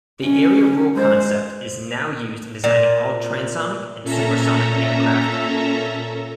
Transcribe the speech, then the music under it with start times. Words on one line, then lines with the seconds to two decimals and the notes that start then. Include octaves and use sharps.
The area rule concept is now used in designing all transonic and supersonic aircraft.
0.25 C#4
0.95 G#3 C5
2.64 A#2
4.02 A#2 C#4 A4 E5 A#5